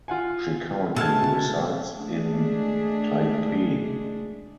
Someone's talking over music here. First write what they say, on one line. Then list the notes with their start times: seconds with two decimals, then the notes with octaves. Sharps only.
She currently resides in Taipei.
0.08 F4 F#5 G#5
0.96 B2 G#3 A3 A5 E6 F6 G#6
1.94 G#3 A3 D4 G#4